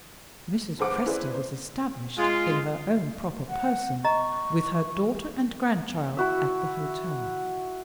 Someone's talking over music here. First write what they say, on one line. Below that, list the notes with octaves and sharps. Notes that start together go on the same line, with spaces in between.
Mrs. Presty was established, in her own proper person, with her daughter and grandchild at the hotel.
G1 G#4 C5 F#5 D6
C#4 E4 G#4 B4 C5 D5
C5
G#3 F4
F#5
D#5 A#5 C#6
E4 F#4 E5